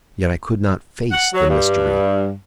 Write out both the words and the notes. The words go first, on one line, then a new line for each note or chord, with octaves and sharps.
Yet I could not face the mystery.
F#5
F#3
G2